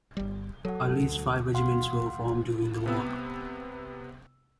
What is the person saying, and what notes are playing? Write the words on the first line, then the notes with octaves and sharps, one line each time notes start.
At least five regiments were formed during the war.
G1 G3
F#3 A4 F#5
D2
F5 F#5 C6
C3 B3 E6